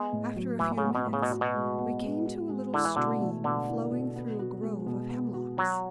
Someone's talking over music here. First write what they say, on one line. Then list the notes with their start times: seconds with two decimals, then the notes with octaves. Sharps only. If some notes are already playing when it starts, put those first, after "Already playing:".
After a few minutes we came to a little stream, flowing through a grove of hemlocks.
Already playing: G#3 B3
0.12 A2
0.36 F#3
0.59 A2 E3
0.78 C#3
0.84 B3
0.95 B2
1.07 A2
1.13 C#3
1.23 B2
1.30 F#4
1.41 B2
1.54 G#3
1.78 B3
2.02 G#3
2.26 F#4
2.49 G#3
2.73 D3 E4
2.85 E3
2.96 B2 D3
3.21 A3
3.44 B2 D3
3.68 E4
3.91 B2
4.16 B3
4.39 F#4
4.63 G#3
4.86 B2
5.10 B3
5.34 F#4
5.57 F#3 F#4